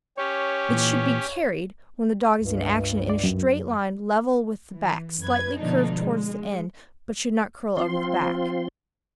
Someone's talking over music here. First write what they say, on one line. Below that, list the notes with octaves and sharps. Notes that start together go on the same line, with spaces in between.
It should be carried, when the dog is in action, in a straight line level with the back, slightly curved towards the end, but should not curl over the back.
C#4 G4 C#5
A#2 E3
C#2 G2
D5
F#2
E3
F#2 B4 G#6
B2 D3 F3 A3 D4 D#4
G#3
F3 C4 F4 C6